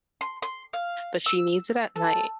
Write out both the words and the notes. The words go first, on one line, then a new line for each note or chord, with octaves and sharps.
but she needs it at night,
C6
C6
F5
E6
A4